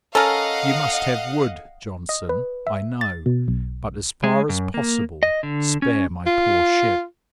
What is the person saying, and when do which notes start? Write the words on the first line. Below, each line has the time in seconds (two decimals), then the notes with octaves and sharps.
You must have wood, Johnson, I know, but, as far as possible, spare my poor ship.
0.15 C#4 A4 A#4 D#5 F5 F#5
2.09 D#5
2.29 B4
2.67 E5
3.01 A6
3.26 B2
3.48 B1
4.24 G#3
4.49 F#2
4.74 A#3
5.23 D#5
5.43 D3
5.82 C#4
6.26 F4